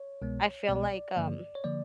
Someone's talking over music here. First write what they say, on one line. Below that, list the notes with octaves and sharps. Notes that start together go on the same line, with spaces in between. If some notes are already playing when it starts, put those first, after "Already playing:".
I feel like, um
Already playing: C#5
C2 B2 G#3 B3
C2 B2 G#3 B3 D5
G2 D3 F3 A#3
C#5
D3 F3 A#3 D5